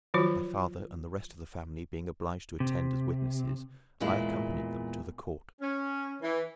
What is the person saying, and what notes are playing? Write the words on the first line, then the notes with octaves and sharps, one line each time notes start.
My father and the rest of the family being obliged to attend as witnesses, I accompanied them to the court.
D#3 F3 F#3 F4 F#4 C#5
C3
E2 A#2 G#3 E4
C#4
E3